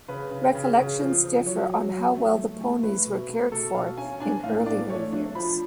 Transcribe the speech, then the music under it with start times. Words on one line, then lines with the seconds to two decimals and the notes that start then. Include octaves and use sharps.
Recollections differ on how well the ponies were cared for in earlier years.
0.08 C#3 B4
0.31 C#3
0.55 C#3
0.78 C#3
1.00 F3
1.23 F3
1.46 F#3 C#5
1.69 F#3
1.92 F#3
2.15 A3
2.38 A3
2.61 A3
2.83 A3 B4
3.06 B2
3.29 A3
3.52 B2 A4
3.75 B2 F5
3.97 C#4 G#5
4.20 D4 G#5
4.43 A2 F5
4.66 D4 D5
4.89 A3 C#5
5.12 D4
5.35 F3 B5